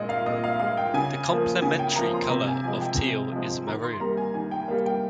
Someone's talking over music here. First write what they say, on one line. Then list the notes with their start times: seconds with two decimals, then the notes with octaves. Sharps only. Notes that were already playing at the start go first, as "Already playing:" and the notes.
The complementary color of teal is maroon.
Already playing: A#2 G#3 D#5
0.09 F5
0.26 A#2 D#5
0.44 F5
0.60 G#3 F5
0.77 G5
0.94 C#3 G#5
1.29 F3 A#3
1.62 C#3 G#5
1.79 G5
1.96 F3 A#3 A#5
2.14 C6
2.30 C3 A#5
2.47 G#5
2.64 F3 G#3 G#5
2.81 G5
2.99 C3
3.32 F3 G#3
3.66 D#3 A#5
3.84 C6
4.00 G3 A#3 A#5
4.17 G#5
4.34 D#3 G#5
4.51 G5
4.68 G3 A#3 F5
4.86 G5